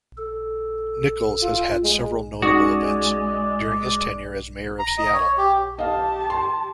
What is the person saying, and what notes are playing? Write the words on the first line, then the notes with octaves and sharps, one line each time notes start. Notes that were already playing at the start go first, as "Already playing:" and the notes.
Nickels has had several notable events during his tenure as mayor of Seattle.
A4
F4
G#3
G#3 C#4 D#4 F#4 D5
A#5
D#5
C#5
G4
G4 D#5 F5 A5
C6